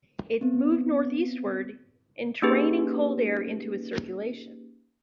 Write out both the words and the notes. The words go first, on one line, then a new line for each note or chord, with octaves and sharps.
It moved northeastward, entraining cold air into its circulation.
B3 C4
A#3 C#4 D#4 G4 G#4 B4